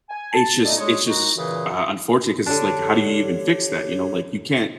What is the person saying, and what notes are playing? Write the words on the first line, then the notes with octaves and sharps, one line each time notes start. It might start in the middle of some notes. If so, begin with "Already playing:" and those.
it's just it's just, uh, unfortunate 'cause it's like, how do you even fix that? You know? Like, you can't
G#5
A5
D3 A3 D#4 D#5
D3 G#3 G#4 C#5
D#3 G#3 D#4 F#4
F#2 A#2 C#3 E3
D3 D4 G4 C#5